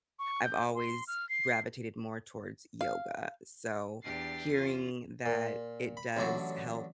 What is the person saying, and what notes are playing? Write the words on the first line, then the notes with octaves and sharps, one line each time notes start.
I've always gravitated more towards yoga. So, hearing that it does help,
C#6
G6
C6
F6
C7
F5
E2 D4 G4 A6 C7
C#4 F4
A#2
B5
A1 D3 F#3 E4 D5 C#6